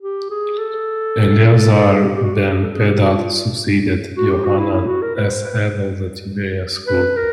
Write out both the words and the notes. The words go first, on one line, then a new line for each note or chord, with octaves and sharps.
Eleazar ben Pedat succeeded Yohanan as head of the Tiberias school.
G4
G#4
A4
A4
G#4
G4
G4
F#4
G4
A4
G#4
G4
F#4
F4
F4
F#4
G4
F#4
E4
E4
F#4
A#4
B4
C5
B4
B4
A#4